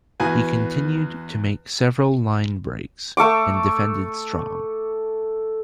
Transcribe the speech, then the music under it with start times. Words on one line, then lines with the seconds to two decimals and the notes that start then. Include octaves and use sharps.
He continued to make several linebreaks and defended strong.
0.20 E2 F#4 B4 G#5
3.17 A3 A4 C#6 D6